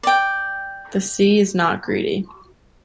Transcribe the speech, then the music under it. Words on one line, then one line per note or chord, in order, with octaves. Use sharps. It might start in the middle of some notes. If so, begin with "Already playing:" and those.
The sea is not greedy.
D5 G5